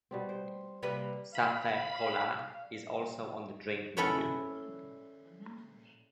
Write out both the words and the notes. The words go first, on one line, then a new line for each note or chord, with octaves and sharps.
Ca Phe Cola is also on the drink menu.
B2 G3 C4
C5
C3 G3 A#3 B4
F5 B5
C#4 E4 A4 B4 C#5